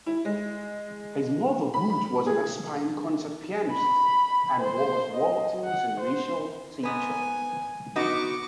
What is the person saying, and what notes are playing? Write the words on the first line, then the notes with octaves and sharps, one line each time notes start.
His mother Ruth was an aspiring concert pianist, and was Walton's initial teacher.
E4
G#3
B5
B5
G#4
B5
C5
D#5
F#5
C5
G#2 B3 B4 G#5
B3 D#4 F#4 C#6 D6